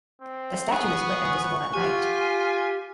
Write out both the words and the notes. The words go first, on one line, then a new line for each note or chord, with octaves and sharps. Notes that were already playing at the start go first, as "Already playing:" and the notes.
The statue is lit and visible at night.
C4
B3 G#4 F#5 C#6
F4 G4 G#5